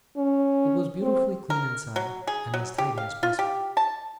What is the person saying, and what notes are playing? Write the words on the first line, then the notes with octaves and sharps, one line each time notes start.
It was beautifully clean inside, and as tidy as possible.
C#4
C4
A#4
F#3
G#4
F#3
G4
F5
F4
G4
A5